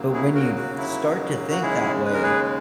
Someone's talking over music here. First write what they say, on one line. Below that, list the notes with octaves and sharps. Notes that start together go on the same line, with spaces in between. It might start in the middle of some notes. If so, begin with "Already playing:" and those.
but when you th start to think that way,
Already playing: D#2 C#3 F#3 A#3
E4 G#4
F#4 A#4
F#4
E4
F#4
D#2 C#3 G#3 E4 G#4
B4
A#4
G#4 B4